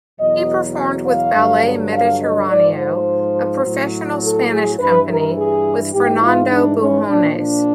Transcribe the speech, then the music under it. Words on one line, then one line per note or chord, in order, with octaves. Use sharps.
He performed with Ballet Mediterraneo, a professional Spanish company, with Fernando Bujones.
E2 B2 F#3 D#5
F5
G2 D3 F#3
F5
D#5
G#2 F3 D5
C5
A2 F#3
A4
G#4
G2 E3 B4
A#4
G#4
G#2 E3 G4
F4
D4
C#4
A#2 F3 D4
D4